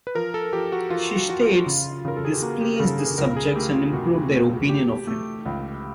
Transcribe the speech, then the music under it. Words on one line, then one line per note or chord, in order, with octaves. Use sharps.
She states this pleased his subjects and improved their opinion of him.
B4
F3 A#4
A4
F3 G4
F#4
F3 F4
F#4
F3 F#4
F4
C#3
C#3 A#4
A4
G#4
G4
A#3 F#4
G4
A#4
C#3 A4
G#4
C#2 A#4
G#4
A3 G4
F4
C3 F#4
A3
A3 G4
A3
C#2